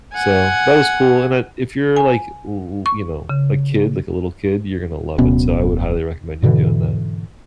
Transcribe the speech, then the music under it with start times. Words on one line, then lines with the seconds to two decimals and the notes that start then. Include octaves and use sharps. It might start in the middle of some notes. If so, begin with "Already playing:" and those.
So, that was cool, and it if you're, like, w w you know, a kid, like a little kid, you're gonna love it, so I would highly recommend you doing that.
0.14 F#5 G#5
1.96 G#5
2.86 C#6
3.29 C#3
5.18 D1 B2 B3 C#4
6.42 G#2 B2 D3 E3